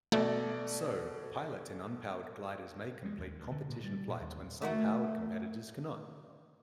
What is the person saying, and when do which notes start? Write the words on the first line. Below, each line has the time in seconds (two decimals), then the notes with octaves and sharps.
So, pilots in unpowered gliders may complete competition flights when some powered competitors cannot.
0.12 B2 A3 A4 D5
3.05 G#3
3.18 D#2
3.38 D2
3.51 D3
3.70 A#2
3.84 G3
4.08 A#2
4.21 D#2
4.62 A3 A#3 F#4